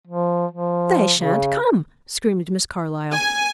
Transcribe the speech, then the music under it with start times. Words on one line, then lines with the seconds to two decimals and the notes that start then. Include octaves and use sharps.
"They shan't come!" screamed Miss Carlyle.
0.07 F3
0.51 F3
1.17 C#3
3.13 G#5